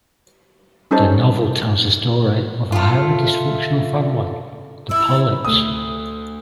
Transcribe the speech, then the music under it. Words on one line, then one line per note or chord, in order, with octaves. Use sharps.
The novel tells the story of a highly dysfunctional family, the Pollits.
G3 C#4 D#4 A4 C5 A5
A3 F4
E4 E6
D2 D#6